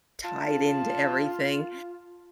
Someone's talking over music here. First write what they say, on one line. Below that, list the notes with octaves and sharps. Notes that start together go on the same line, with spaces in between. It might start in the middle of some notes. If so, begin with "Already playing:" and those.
tied into everything.
F4 A5